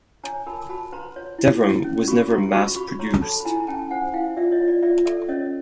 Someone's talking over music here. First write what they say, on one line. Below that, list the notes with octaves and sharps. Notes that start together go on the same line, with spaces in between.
Devrim was never mass-produced.
C#5 G#5 A#5
A#4 A5 B5
F#4 A5 B5
B4 A#5 C6
C#5
E4
E4
C#4
F#4 B5 C#6
F#4 A#5 C6
F#4 B5 C#6
F#4 B5 C#6
C#5 A#5 C6
A4 A5 B5
B5
E4 G#5 A#5
A#5
C#4 G5 A5
C5 F#5 G#5
E4 F5 G5
F4 D5 E5
C#5 D#5
F4
D5
F4 D5 E5
A4 D5 E5
C#4 C#5 D#5